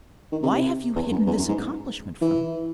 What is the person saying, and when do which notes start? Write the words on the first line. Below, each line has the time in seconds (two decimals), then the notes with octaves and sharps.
Why have you hidden this accomplishment from me?
0.32 D#3
0.43 C3
0.54 C3
0.95 E2
1.11 F#2
1.27 E2
1.37 F#2
1.48 G#2
2.22 E3